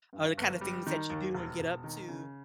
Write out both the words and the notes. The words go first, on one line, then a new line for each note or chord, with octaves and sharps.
or the, kinda, things that you do and get up to,
G2
G1
G3
D#3
D#2
E1
E1
D#3
C#3